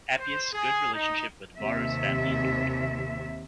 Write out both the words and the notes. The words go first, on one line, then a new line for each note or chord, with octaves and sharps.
Appius' good relations with Varro's family endured.
C5
G#4
D#4
D#2 C3 E5